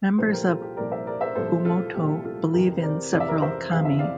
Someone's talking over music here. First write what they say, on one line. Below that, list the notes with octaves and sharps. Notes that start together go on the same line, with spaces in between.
Members of Oomoto believe in several kami.
C2 A#2 F3 A4 C5
G4 A#4
F4 A4
G4
C2 A#2 F3 A#4 D5
C5 E5
A#4 D5
C5 E5
C2 A#2 F3 A4 C5
F4 A4
C2 A#2 F3 G4
F4 A4
F2 C3 E3 G4 A#4
C5
A#4 D5
F2 C3 E3 D5
E5
A#4 D5
C5 E5
F2 C3 E3 F5
E5
D5 F5